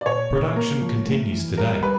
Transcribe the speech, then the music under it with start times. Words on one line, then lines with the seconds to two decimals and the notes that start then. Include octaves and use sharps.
Production continues today.
0.01 D5
0.06 A#2 C#5
0.31 A#2
0.56 A#3 A#4
0.82 F3
1.07 A3
1.32 E3
1.58 G3 A#4
1.83 G3 B4